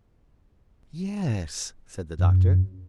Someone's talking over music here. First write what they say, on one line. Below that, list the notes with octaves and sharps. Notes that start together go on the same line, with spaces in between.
"Yes," said the Doctor.
F#2